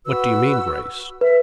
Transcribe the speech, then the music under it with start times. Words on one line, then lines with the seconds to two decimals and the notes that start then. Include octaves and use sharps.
"What do you mean, Grace?"
0.06 F#4 B4 E6
1.21 B4 E5